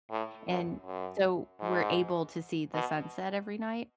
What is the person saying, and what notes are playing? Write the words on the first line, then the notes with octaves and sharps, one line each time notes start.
and so we're able to see the sunset every night.
A2
F#2
F#2
G#2
B2